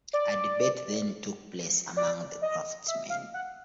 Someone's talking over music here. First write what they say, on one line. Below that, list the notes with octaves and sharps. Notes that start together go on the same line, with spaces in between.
A debate then took place among the craftsmen.
D5
D5
D#5
E5
F5
F#5